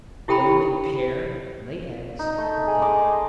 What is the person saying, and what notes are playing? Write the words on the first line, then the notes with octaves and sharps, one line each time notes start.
They only pair, lay eggs, and die.
E4 G4 A4 G5 A#5 B5
D#4
A3
G#4
D#5 C6 D6